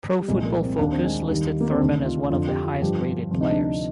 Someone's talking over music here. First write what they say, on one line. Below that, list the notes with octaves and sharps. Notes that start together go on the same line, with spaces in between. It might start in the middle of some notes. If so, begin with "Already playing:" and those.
Pro Football Focus listed Thurman as one of the highest graded players.
G3
C2 A#2 F3 G#3
A#3
C4
D#2 D#3 D4
C4
G#3
D#2 D#3 G3
A#3
C4
D2 C3 D#3 D4
F4
F2 D3 F3 F4
G4
F4
G2 D3 F3 G4
F4
D2 C3 F3 F4
D#4
D4
D#4